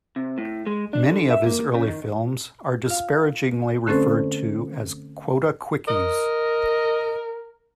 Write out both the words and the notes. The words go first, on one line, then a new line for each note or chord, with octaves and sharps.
Many of his early films are disparagingly referred to as "quota quickies".
C3
A2
G#3
D4
D3
E5
A#3
C#3
D#3
F4 F5
D3 A3 C4 C#4 A4 C5
A#4 D#5